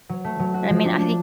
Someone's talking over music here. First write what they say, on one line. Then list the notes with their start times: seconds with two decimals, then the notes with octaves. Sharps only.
I mean, I think
0.09 F#3
0.24 A3
0.40 F#3
0.54 F#4
0.70 F3
0.85 D4
1.00 D4